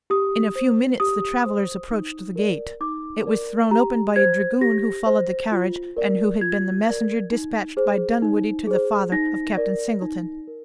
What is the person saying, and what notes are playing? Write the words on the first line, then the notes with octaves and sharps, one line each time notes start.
In a few minutes the travelers approached the gate. It was thrown open by a dragoon who followed the carriage, and who had been the messenger dispatched by Dunwoodie to the father of Captain Singleton.
G4 D#6
C5
G4 D#6
C5
D#4
A#4 D5
D#4 D6
A#4 D5
G4 A#5
C5 G#6
G4 A#6
C5
F4
A#4 D5
F4 G#6
A#4 D5
D#4
G#4 C5
D#4
G#4 C5
D#4 A#6
A#4 D5
D#4
A#4